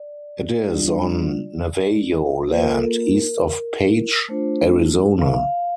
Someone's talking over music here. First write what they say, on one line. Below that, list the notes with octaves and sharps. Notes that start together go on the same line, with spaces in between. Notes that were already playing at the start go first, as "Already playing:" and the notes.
It is on Navajo land east of Page, Arizona.
Already playing: D5
G3 D4 F4
A#3 F4 C5
A#4
A4
A#4
A3 D4 F4 C5
F5
E5
F5